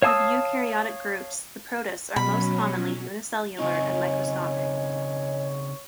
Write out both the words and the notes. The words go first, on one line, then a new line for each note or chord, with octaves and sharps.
Of eukaryotic groups, the protists are most commonly unicellular and microscopic.
C#5 F5 A5 D#6 E6
B2 F#3 C#4 B5
C#3 C4 D#4 C#5 D#5 G#5